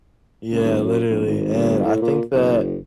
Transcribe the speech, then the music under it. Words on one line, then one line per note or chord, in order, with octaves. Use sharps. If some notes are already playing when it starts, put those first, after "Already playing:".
Yeah, literally, and I think that,
C#2
D#1
F#2
A#1
G#1
G1
A2
A#2
F#1